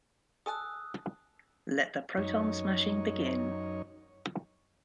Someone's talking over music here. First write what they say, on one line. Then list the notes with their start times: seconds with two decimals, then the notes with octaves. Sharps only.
Let the Proton Smashing Begin.
0.46 A4 G#5 A5 D#6 E6 F#6
2.17 F#2 D#4 C#5